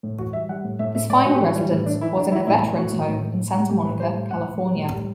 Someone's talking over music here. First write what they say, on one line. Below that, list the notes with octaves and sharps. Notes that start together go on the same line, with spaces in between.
His final residence was in a veterans home in Santa Monica, California.
A2
E3 F#4
G3 E5
G3 F#5
A2
A2 E5
A2 E5
A2 D5
A2 F#4
G4
E3 F#4
G3
A2
E3 D4
E3 E4
E3 D4
E3 E4
A2 E4
A2
A2 F#4
A2
A2
A2
A2
G3
A2 G4
A2 B4
G3 C5
A2
A2 F#5
A2
G3
A2
G3